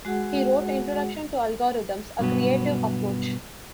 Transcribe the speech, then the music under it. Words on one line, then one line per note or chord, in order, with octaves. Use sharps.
He wrote "Introduction to Algorithms - A Creative Approach".
G#3 F#4 G#4 F#5
G2 B2 F#3 B3